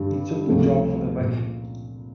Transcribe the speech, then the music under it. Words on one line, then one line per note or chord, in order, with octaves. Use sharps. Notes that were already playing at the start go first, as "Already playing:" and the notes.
He took the job for the money.
Already playing: G2 D3 G3
C#2 C3 F3 A3 C4
A#2